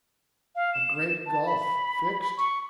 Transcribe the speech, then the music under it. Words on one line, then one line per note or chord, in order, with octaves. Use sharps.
A great gulf fixed?
F5
E7
A5
B5
C#6